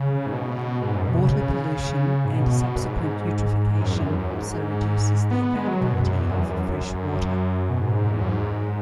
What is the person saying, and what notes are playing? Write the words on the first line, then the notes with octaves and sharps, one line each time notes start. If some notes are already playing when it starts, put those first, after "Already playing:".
Water pollution and subsequent eutrophication also reduces the availability of fresh water.
Already playing: C#3
G#2
B2
G#2
F#2
B2
C#3
C#3
G#2
B2
F#2
G#2
G#2
F#2
E2
F#2
F#2
G#2
B3
B3
G#3
F#3
B2
F#2
F#2
E2
F#2
E2
F#2
B2
G#2
E2
F#2
G#2